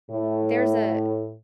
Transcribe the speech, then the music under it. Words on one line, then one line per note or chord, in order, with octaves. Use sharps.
there's a
A2